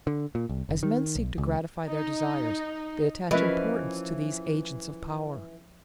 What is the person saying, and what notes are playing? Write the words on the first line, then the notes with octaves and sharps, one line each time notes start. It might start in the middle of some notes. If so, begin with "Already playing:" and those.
As men seek to gratify their desires, they attach importance to these agents of power.
D3
A#2
C2
F#1
D#3
B1
C#2
D#4
E3 F3 C#4 A#4 B4 D#5 E5